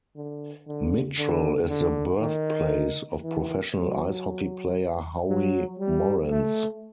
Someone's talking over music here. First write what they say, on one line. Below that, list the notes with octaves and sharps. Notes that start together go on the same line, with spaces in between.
Mitchell is the birthplace of professional ice hockey player Howie Morenz.
D3
D3
D3
D3
D#3
E3
F#3
F#3
G3
A3